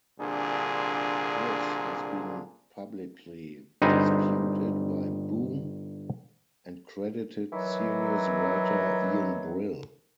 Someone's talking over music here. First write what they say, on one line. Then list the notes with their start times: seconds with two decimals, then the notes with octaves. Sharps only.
This has been publicly disputed by Boom and credited series writer Ian Brill.
0.20 C2 A#2 D3 D4 G#4
3.82 G1 G3 C4 D#4 G#4 B4
7.52 D#3 E3 F#3